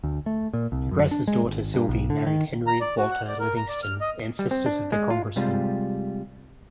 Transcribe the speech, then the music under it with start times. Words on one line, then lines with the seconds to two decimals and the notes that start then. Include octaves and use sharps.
De Grasse's daughter, Sylvie, married Henry Walter Livingston, ancestors of the Congressman.
0.04 D2
0.26 A3
0.53 A#2
0.72 C2
0.91 F#2
1.11 D4
1.28 G#3
1.44 G#1
1.74 G2
1.89 B1
2.10 D3
2.26 D#3
2.67 A#5
2.81 D5
2.98 F#4
3.11 F#5
3.28 D5
3.40 A#4
3.57 A#5
3.68 D5
3.83 F6
4.01 D#5
4.39 G3
4.51 C4
4.66 D4
4.92 G#3
5.10 F4
5.36 C3 G3 G#3 F4